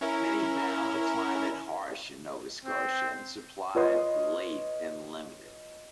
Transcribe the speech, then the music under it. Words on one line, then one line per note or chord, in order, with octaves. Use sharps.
Many found the climate harsh in Nova Scotia, and supplies late and limited.
C#4 E4 A#4
C4
F4 B4 C#5 D#5 C6 D#6